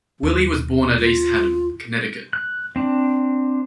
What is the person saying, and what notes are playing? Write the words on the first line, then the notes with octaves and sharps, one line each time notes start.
Willey was born at East Haddam, Connecticut.
D#2
F4
F#6
C4 D4